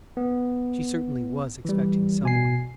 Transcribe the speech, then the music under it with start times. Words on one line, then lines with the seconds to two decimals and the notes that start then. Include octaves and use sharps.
She certainly was expecting some one.
0.17 B3
1.65 E3 G3
2.23 B2 G#5 C7